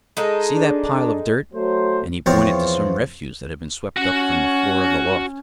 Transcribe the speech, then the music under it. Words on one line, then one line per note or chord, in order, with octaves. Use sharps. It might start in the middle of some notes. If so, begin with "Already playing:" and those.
"See that pile of dirt?" and he pointed to some refuse that had been swept up from the floor of the loft.
G#3 D#4 A4
D4
F#3 A3 C5
E2 F3 C4 C#5 F5
C#4 F#4 F#5